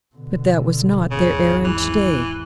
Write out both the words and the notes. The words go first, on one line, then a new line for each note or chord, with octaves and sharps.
But that was not their errand to-day.
B2 D3
G#1 E2 C#3
E3